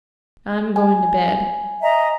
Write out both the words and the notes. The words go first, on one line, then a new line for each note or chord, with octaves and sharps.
"I'm going to bed."
G#5
D#5 E5 A#5